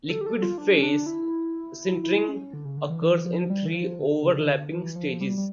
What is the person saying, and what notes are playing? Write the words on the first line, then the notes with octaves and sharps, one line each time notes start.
Liquid phase sintering occurs in three overlapping stages.
A4
G4
A4
F4
D4
C#4
D4
E4
E4
C#4
D3
C#3
D3
E3
E3
F3
G3
E3
F3
D3
C#3
E3
D3
E3
F3
G3
G3